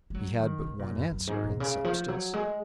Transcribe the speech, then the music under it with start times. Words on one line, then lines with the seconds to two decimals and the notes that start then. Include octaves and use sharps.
He had but one answer, in substance.
0.10 G#3
0.14 F#3
0.39 D#3
0.62 C#3
0.79 A#2
0.96 F#2
1.11 F#2
1.27 G#2
1.44 B2
1.60 C#3
1.84 F3
2.08 F#3
2.34 G#3